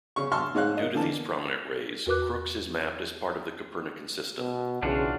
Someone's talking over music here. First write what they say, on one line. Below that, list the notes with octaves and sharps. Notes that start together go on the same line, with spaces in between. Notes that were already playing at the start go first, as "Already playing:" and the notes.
Due to these prominent rays, Crookes is mapped as part of the Copernican System.
C#3 C#4 C#6
A5 C6 C#6 E6 F6
G#2 G#3 D#4 C#5 F5 F#6
A#4 D#5
D3 E3 A#3 A5
E2 F#4 A#4 B4 D6 F#6
B2
B1 C#3 E3 D4 F4 F#4